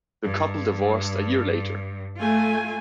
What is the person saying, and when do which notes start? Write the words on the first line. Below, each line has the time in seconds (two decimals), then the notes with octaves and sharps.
The couple divorced a year later.
0.24 G2
2.17 A3 F4 G#5